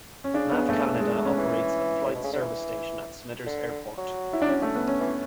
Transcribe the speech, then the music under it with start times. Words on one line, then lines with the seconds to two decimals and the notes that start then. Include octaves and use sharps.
NavCanada operates a Flight Service Station at Smithers Airport.
0.24 C#4
0.34 C#3 D4
0.52 B3
0.69 A3
0.99 G#3
1.12 A3
1.25 C#4
1.37 E3
2.05 A2
2.15 B2
2.24 C#3
2.33 D3
2.41 E3
3.46 D3
3.98 F#3
4.33 E4
4.42 D4
4.49 C#4
4.62 A3
4.75 B3
4.88 C#4
5.00 E3